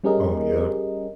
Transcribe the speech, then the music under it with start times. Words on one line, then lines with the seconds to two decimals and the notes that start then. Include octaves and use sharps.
Oh, yep.
0.04 G3 C#4 G4 G#4 A#4 D#5